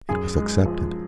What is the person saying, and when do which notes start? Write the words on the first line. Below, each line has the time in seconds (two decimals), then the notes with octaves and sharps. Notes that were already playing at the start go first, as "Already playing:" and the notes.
It was accepted.
0.09 F#2 G#4
0.37 G#3
0.65 F3